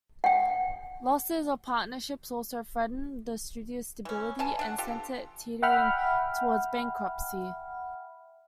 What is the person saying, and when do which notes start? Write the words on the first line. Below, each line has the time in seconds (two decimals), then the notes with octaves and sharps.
Losses of partnerships also threatened the studio's stability and sent it teetering towards bankruptcy.
0.24 F#5 G5
4.05 E3 C#4
4.39 B2 G#5 A5
4.59 D4 F#5
4.78 F4 G4 A4
5.62 E5 F#5 G5 B5 F6